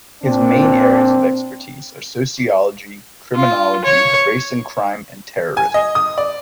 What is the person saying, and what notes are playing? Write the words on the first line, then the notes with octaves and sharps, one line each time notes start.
His main areas of expertise are sociology, criminology, race and crime, and terrorism.
A#2 C4 D4
F4
C#5
G#5
D#5
D#6
D5